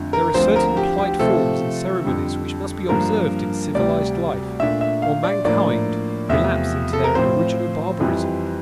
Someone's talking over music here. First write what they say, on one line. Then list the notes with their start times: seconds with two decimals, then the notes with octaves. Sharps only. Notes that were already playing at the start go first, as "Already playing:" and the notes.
There are certain polite forms and ceremonies which must be observed in civilised life, or mankind relapse into their original barbarism.
Already playing: F2 D3 A3
0.13 A#4
0.34 D2 D3 F3 C4 C5
0.56 A#4
0.77 G4
0.98 G4
1.19 C3 F3 A3 C4 A4
2.05 F2 D3 G3
2.89 G2 F3 A#3 D4 A#4
3.75 D2 C3 G3 D5
4.60 A#2 A3 D4 E5
4.81 E5
5.02 F5
5.24 D5
5.45 A2 F3 A#3 D4 D5
6.29 E2 C3 F3 A3 E5
6.93 A4
7.04 A#4
7.15 A2 F3 C4 C5
8.00 F2 E3 G3